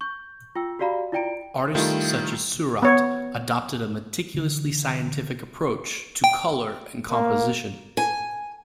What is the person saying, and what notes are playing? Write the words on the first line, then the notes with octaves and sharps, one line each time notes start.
Artists such as Seurat adopted a meticulously scientific approach to colour and composition.
C#6 G6
F4 G5 E6
F#4 G4 D5 F5 A#5 B5
E4 F4 D5 G5 A#5 D7
D#3 G3 A3 E4 F4
B3 C#5
D3 E3
G5
A#3
G#5